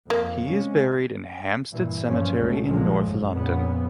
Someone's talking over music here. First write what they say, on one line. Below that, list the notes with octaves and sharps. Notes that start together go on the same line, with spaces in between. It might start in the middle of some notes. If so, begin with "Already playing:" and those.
He is buried in Hampstead Cemetery in north London.
F2 A#3
C3 G#3 C#4
G2 A#2 E3
G2 A#2 F3 C#4
C#2 B2 A3
A#1 F#2 A#2 D3 F3 G#3
F#2 A2
F2 A#2 C#3 B3